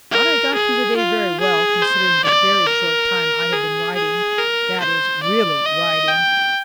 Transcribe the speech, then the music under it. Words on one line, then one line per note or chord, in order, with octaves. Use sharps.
But I got through the day very well, considering the very short time I have been riding--that is, really riding.
A#4
G#4
F4
G#4
C5
D5
A#4
G#4
G#4
A#4
C5
D5
D#5
G5